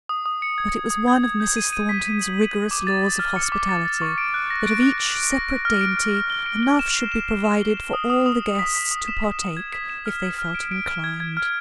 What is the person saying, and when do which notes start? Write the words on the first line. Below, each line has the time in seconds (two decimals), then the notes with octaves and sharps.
But it was one of Mrs. Thornton's rigorous laws of hospitality, that of each separate dainty enough should be provided for all the guests to partake, if they felt inclined.
0.09 D#6
0.26 D#6
0.42 C#7
0.58 G#6
0.75 C#7
0.90 D#6
1.08 G#6
1.23 G#6
1.40 G6
1.57 D#7
1.73 D#7
1.89 B6
2.05 B6
2.21 F#7
2.38 F#7
2.54 B6
2.71 D6
2.87 A6
3.03 A6
3.19 F6
3.36 C#7
3.52 D6
3.69 A6
3.85 A6
4.02 C#6
4.18 D7
4.34 F#6
4.50 A#6
4.67 D7
4.82 F#6
4.99 D7
5.15 D7
5.32 A#6
5.49 D7
5.65 F6
5.81 D7
5.97 F6
6.14 F6
6.30 G7
6.46 D7
6.63 G7
6.79 E7
6.95 C7
7.12 E7
7.28 E7
7.44 E7
7.61 G7
7.77 E7
7.93 D#6
8.10 D#6
8.26 D#6
8.42 E7
8.59 B6
8.75 B6
8.91 D#6
9.08 E7
9.24 B6
9.40 E7
9.57 G#6
9.73 B6
9.89 E7
10.06 F6
10.22 B6
10.39 F6
10.55 D7
10.71 D7
10.87 F6
11.04 G#6
11.20 G#6
11.37 F6